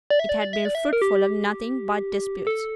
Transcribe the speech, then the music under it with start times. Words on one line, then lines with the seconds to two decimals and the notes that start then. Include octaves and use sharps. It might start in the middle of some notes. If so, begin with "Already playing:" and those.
It had been fruitful of nothing but disputes.
0.10 D5
0.19 E5
0.29 D5
0.41 D5
0.53 E5
0.65 D5
0.75 E5
0.93 A#4
1.02 G4
2.47 A4